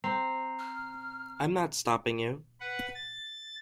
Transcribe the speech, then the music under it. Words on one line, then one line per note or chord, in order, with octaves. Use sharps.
I'm not stopping you!
C4 A#5 C7
F6
B4 F#5
A6